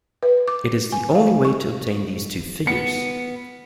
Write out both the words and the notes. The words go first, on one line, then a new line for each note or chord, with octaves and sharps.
It is the only way to obtain these two figures.
B4
D6
G#5
F5
C#6
B3 C#7